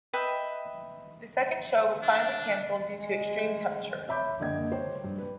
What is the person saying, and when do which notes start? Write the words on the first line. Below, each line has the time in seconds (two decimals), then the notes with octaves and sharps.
The second show was finally canceled due to extreme temperatures.
0.13 B4 D#5 E5 G5
2.03 D4
2.94 G#3
4.08 C#5 E5 B5 D6 G6
4.40 F#1 D3 A#3 D#5 G5 G#6
4.72 C5 C#5 G5
5.04 G2
5.18 B4